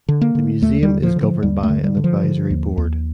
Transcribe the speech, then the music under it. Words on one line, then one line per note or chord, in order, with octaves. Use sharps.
The museum is governed by an advisory board.
D3
A#3
D3
D#2 A3
G3
D3
F3
D3
F3
D#2 G3
A3
D3
G3
D3
F3
D3
D#2
D#2